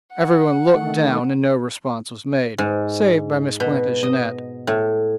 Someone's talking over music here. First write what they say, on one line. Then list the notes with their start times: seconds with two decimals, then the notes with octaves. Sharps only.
Everyone looked down and no response was made, save by Miss Plantagenet.
0.13 F#5
0.75 D#3 A3
2.58 G#2
3.60 B2
4.03 D#5
4.67 A2